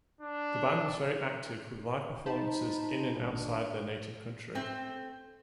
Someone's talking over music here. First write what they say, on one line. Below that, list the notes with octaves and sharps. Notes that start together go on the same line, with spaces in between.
The band was very active with live performances in and outside their native country.
D4
D#4 C5 A5 B5
G#1 A#2 D4
A3 C4